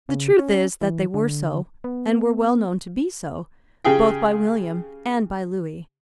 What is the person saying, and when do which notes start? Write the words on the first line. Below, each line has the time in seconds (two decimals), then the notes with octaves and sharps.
The truth is that they were so, and were well known to be so both by William and by Lewis.
0.09 C#3
0.39 C#4
0.81 E3
1.14 D3
1.84 B3
3.85 C#3 G4 G#4 G5